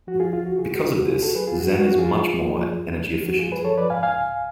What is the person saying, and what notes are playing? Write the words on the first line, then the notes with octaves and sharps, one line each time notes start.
Because of this, Zen is much more energy efficient.
F3 F#4
F4 G#4
D2 F4
F#4
C#3 F4 G#4
F#4
D2 F4
F#4
C#2 F4 G#4
F#4 A4
F#3 G#4 B4
F4 G#4
G#2 F#4
F#4
F3 F#4
F4 G#4
G#2
F3
F#2
F3
F3
F#4
F#2 F4 G#4
G#4 B4
F3 A4 C#5
B4 D5
G#2 F5 G#5
F5 G#5
C#2